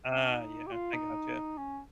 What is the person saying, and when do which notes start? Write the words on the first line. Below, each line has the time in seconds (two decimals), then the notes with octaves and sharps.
Ah, yeah, I gotcha.
0.08 C#4
0.29 D#4
0.67 G4
0.72 F4
0.94 D#4
1.58 C#4